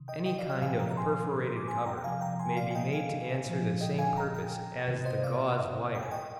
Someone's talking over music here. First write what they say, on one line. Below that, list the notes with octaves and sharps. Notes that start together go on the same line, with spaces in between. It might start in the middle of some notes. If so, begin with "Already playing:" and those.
Any kind of perforated cover may be made to answer the same purpose as the gauze wire.
Already playing: C3 D#3
D#5 G5
D#5 G5
D5 F5
D#5 G5
A#2 F3 F5 G#5
G5 A#5
A#5
G#5 C6
D6
G#5 C6
G5 A#5
G5
C3 F3 F5 G#5
G5 A#5
G#5 C6
D5 F5
G#5
D#5 G5
F5 G#5
A#2 F3
D#5 G5
F5 G#5
G5 A#5
G5 A#5
C3 D#3
C5 D#5
D5 F5
G5
G#5
D#5 G5